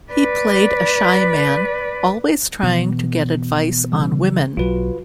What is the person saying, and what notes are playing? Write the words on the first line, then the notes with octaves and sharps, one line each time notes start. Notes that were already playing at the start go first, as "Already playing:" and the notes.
He played a shy man, always trying to get advice on women.
B4 D5
B2 E3
C#3 E3 G3
B1 F#3 F4 F#4 B4